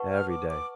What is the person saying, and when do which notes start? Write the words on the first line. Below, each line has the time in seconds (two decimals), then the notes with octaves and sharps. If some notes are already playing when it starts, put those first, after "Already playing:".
Every day,
Already playing: B4 F#5 A5 C#6
0.12 F6
0.30 D6
0.49 D6